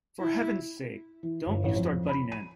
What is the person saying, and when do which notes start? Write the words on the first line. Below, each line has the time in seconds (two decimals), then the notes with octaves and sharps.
For heaven's sake, don't you start butting in.
0.20 E4
1.23 E3
1.46 G1
1.64 A1
1.76 F2
2.09 B5
2.32 D#7